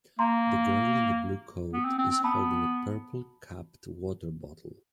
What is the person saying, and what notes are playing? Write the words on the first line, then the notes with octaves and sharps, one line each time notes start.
The girl in the blue coat is holding a purple capped water bottle.
A#3 A#5 C6
B3
C4
C4
C4
B3 A5 B5